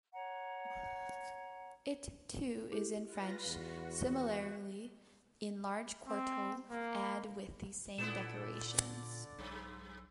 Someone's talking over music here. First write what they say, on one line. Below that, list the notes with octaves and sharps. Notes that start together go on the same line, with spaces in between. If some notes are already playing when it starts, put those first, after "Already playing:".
It, too, is in French, similarly in large quarto and with the same decorations.
C#5 F#5 A#5
E4 G4 A4
F4 B4 A#6
E2 F#4
C4
A#3
A#2 D3 A3 B3 E4 D5 E7
B1 G2